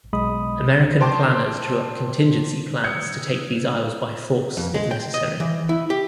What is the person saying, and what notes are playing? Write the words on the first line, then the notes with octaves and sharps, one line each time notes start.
American planners drew up contingency plans to take these isles by force if necessary.
B1 G#3 B5 D#6
C5 G5 A5 C6 D6
D#6 E6 G6 G#6 C#7
F2
G#3
G5
D#5
E3
E4
G4